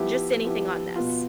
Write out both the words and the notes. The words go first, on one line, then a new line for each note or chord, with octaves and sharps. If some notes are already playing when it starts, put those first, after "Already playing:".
"Just anything on this
Already playing: F3 B3 E4 G4
F3 B3 E4 G4
B2 B3 F4